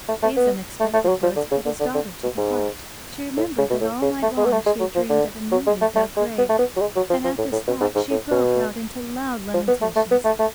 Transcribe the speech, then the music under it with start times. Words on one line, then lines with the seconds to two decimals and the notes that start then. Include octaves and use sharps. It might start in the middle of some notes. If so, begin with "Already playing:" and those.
These unexpected words cut his daughter to the heart; she remembered that all night long she had dreamed of a newly dug grave, and at this thought she broke out into loud lamentations.
0.08 A3
0.23 A3
0.37 B3
0.80 A3
0.94 A3
1.04 F3
1.09 F#3
1.23 F3
1.36 D3
1.51 C#3
1.65 D3
1.80 D3
1.94 D3
2.23 B2
2.37 G#2
3.37 A2
3.58 C#3
3.70 B2
3.81 A2
4.02 C#3
4.23 A3
4.37 G#3
4.45 B3
4.52 A3
4.66 G#3
4.80 F#3
4.95 F3
5.10 D3
5.52 F#3
5.67 G#3
5.81 A3
5.96 A3
6.16 G#3
6.38 B3
6.49 A3
6.59 B3
6.76 F#3
6.81 G#3
6.96 F#3
7.10 F3
7.24 F3
7.38 A2
7.52 A2
7.67 B2
7.81 G#2
7.95 G#2
8.10 A2
8.31 B2
9.54 F3
9.68 B3
9.82 A3
9.96 A3
10.11 B3
10.25 A3
10.39 A3